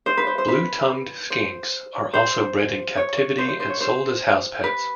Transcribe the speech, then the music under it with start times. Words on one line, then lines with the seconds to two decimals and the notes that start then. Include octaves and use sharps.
Blue-tongued skinks are also bred in captivity and sold as house pets.
0.06 C5
0.17 B4
0.27 C5
0.38 C5
0.48 B4
1.30 C5
2.14 C5
2.97 C#5
3.17 C#5
3.38 C5
3.48 C5
3.60 C5
3.70 C#5
3.80 C5
4.64 B4